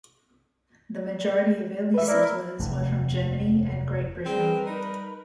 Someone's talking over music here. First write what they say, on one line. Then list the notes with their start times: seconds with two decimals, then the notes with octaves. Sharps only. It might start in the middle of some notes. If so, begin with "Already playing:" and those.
The majority of early settlers were from Germany and Great Britain.
1.94 B4 E5
2.08 E4 A#4 D5
2.59 F1 D#2 C3
4.25 G3 C4 G#4 A#4 B4
4.66 D#4 B5